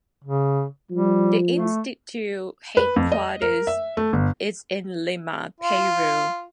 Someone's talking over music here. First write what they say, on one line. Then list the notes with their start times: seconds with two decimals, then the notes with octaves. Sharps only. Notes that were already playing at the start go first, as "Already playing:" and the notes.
The Institute headquarters is in Lima, Peru.
0.24 C#3
0.91 F3 G3
1.54 A3
2.77 B4
2.96 F2
3.12 D#5
3.42 A#4
3.67 E5
3.97 A3
4.13 G1
5.61 F4